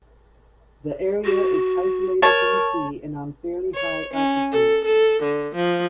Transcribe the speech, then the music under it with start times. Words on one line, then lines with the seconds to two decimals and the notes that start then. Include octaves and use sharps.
The area is isolated from the sea and on fairly high altitude.
1.25 F#4
2.22 A#4 C#5 A5
3.75 C#5
4.14 C#4
4.51 A4
4.85 A4
5.22 D3
5.55 F3